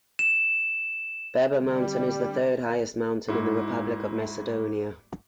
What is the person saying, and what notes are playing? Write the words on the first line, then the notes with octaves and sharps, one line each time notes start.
Baba Mountain is the third highest mountain in the Republic of Macedonia.
E7
D3 G3 C4
G#2 E4 F#4